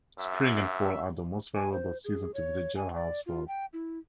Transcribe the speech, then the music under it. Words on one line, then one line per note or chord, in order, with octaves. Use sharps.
Spring and fall are the most favorable seasons to visit Jailhouse Rock.
F#2 E5
G#5
C5
G#4
C#5
G#5
D5
F4
G5
E4